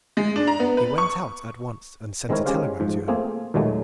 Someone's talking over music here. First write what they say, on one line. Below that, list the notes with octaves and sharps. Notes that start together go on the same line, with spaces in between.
He went out at once and sent a telegram to her.
G#3
D4
A#5
B3
B4
C#6
D#3 G#3 C4 E4 A#4 C#5
G#3 C#4 G4 C5 F5
G#2 F3
A3 A#3 C4 F4 G#4
D#2 A#2 F#3 G#3 A3